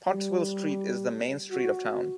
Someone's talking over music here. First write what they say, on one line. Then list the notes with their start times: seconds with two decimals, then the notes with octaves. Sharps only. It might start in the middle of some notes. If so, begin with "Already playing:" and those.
Pottsville Street is the main street of town.
0.10 G3
1.51 F#4